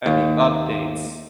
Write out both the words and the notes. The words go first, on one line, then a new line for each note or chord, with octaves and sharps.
and the updates
D#2